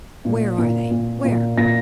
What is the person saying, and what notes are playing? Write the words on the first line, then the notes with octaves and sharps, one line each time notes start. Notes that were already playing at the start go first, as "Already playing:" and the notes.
Where are they? Where?
A#2
A#2
A#2
A#2
A#2 A#6